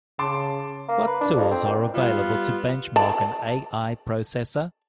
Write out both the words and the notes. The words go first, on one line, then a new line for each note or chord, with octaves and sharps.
What tools are available to benchmark an A-I processor?
C#3 A5 C6 D6
A#3
B4
D4
F2
C4
A#2
G3 B3 F4
D5 A5